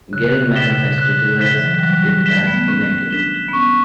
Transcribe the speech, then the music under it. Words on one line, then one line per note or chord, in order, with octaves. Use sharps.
Gell-Mann has criticized it as inaccurate.
C#3 F#6
D3
C#3
D3
B2 B6 E7 G7
C#3
B2
C#3 F#6
D3
C#3
D3 B6 E7 G7
E3
F#3
E3
G3
F#3 F#6
G3
G3 B6 E7 G7
A3
B3
C#4 F#6
D4 B6 E7 G7
B3
C#4 C#6